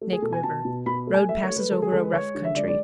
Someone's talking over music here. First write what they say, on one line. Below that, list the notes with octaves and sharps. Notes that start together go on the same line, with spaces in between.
Snake River.--Road passes over a rough country.
A3
G#4
B2 A4
G#5
B2 A5
B2
B2 B5
A3
G#5
A3 E5
C#5
A3
B4
G#3 A4
G#4
G#3 A4
B4
G#3 C#5
D3
E5
G#3 D5
D5